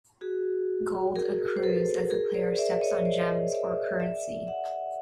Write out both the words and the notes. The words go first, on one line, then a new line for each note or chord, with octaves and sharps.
Gold accrues as the player steps on gems or currency.
F#4 G#4
G#4 A#4
C5
A4 B4
G#4 A#4
C5 D5
D5 E5
C#5 D#5
C5 D5
D5 E5
D5 E5
E5 F#5